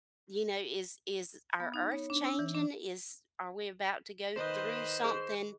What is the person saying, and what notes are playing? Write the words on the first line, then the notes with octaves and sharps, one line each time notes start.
you know, is is our earth changing, is are we about to go through something?
B3
D#4
C#5
D4
E6
E3
D4
D#3 B4 C5 D#5
G#4